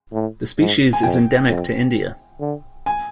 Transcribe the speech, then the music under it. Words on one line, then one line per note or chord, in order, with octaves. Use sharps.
The species is endemic to India.
A2
G#2
G#5
F2 G5
F2
D3
G#5